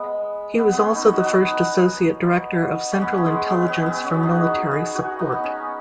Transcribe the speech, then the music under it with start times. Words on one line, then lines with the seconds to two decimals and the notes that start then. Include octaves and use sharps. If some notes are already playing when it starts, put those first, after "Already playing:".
He was also the first Associate Director of Central Intelligence for Military Support.
Already playing: G#3 B3
0.58 B3
0.72 B3 C#4
0.95 D#4
1.13 F#4
1.24 F#4
1.32 D#4
2.92 C#4
3.01 B3
3.18 B3
3.26 G#3
3.50 B3
3.62 C#4
3.68 B3
3.86 B3
4.04 C#4
4.14 F#4
4.23 D#4
4.36 G#4
4.46 F#4
4.71 G#4
4.95 F#4
5.19 D#4
5.32 B3
5.44 C#4